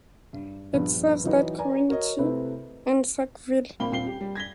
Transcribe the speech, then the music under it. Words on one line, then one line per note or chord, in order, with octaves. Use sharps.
It serves that community and Saukville.
G2
A#1 G2 B3 B4
E3 F#3 D#4 B4
B4 D5 G#5 A#5
F#4 A#4 C#5 D#5
C3 A3 C4 E4 B4
A#1 A#3 C4 F5 B5 G7
D#1 C4 F4 C7 G7
G4
G3
G#6 A#6 B6 G7